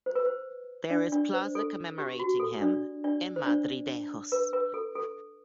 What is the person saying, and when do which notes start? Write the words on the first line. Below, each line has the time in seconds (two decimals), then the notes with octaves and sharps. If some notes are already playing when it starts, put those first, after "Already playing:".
There is plaza commemorating him in Madridejos.
0.06 C5
0.15 B4
0.26 C5
0.90 D4 D5
1.12 D4 D5
1.34 C5
1.55 A4
1.98 G4
2.19 F#4
2.40 A4
2.61 D4 D5
3.04 D4 D5
3.36 C5
3.46 D4 D5
4.32 B4
4.53 B4
4.74 A4
4.95 A4